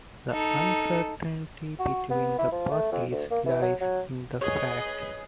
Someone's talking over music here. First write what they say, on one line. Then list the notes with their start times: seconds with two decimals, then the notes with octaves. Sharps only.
The uncertainty between the parties lies in the facts.
0.33 D#4 A4
1.79 F#4
2.10 B3
2.38 E4
2.52 F3
2.71 A3
2.92 F2
3.11 D2
3.31 A#3
3.46 E3
3.62 F#3
3.81 F#3
4.41 G#4 B4 C#5 D#5 G#5